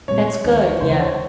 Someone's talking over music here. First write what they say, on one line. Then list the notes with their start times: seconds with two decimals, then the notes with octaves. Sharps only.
That's good. Yeah.
0.08 A#2 G3 C4 C#5
0.44 D#2 D#3 G#3 C#4
0.80 D#2 C#3 E3 G#3 C5
0.99 C#5